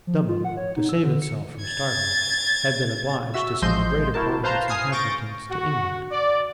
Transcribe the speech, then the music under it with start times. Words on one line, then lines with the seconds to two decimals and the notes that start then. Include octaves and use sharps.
Dublin, to save itself from starving, had been obliged to send the greater part of its inhabitants to England.
0.07 F3
0.28 F4
0.45 F#5
0.57 C#5
0.77 D#4
0.89 E6
1.04 D3
1.22 C#7
1.63 G#6 A6
3.34 F#4 E5 E6
3.62 A1 F3 G#3 D#5 C6 G6
4.14 E4 F#4 A#4 A5
4.43 B4 C5 F5 A5 A#5 C6
4.68 G#5 D#6 F6 G#6 C7
4.92 C#6 G6 A6 A#6 D7
5.50 F#4
6.11 D5